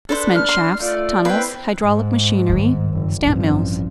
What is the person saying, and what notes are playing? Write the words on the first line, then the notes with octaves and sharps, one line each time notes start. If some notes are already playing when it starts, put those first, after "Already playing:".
This meant shafts, tunnels, hydraulic machinery, stamp-mills.
D4 A4 B4 C5
F6
C6
A3 F4 D5
B3 E4 B4 C5 G5
G#2
G2 D#3
F#1
A1 G2 F3 C4